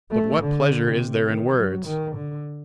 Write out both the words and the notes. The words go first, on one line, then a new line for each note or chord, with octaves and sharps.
But what pleasure is there in words?
A3
D3
C3
D#3
F#3
D#3
D3